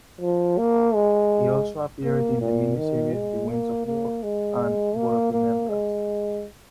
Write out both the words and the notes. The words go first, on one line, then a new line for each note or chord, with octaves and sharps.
He also appeared in the miniseries "The Winds of War" and "War and Remembrance".
F3
A#3
G#3
A#3
A#2
D#3
G#3
A#3
A#3
G#3
A#3
A#3
G#3